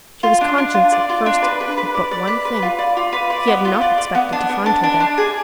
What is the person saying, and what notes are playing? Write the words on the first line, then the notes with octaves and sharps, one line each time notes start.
She was conscious at first of but one thing--he had not expected to find her there.
F4
D4
D4
F4
D5
F4
D4
B4
B4
B4
D5
D5
B4
B4
F4
D5
F4
B4
D5
B3
F4
D5
D5
B3
D4
B3
D4
D4
D4
G#4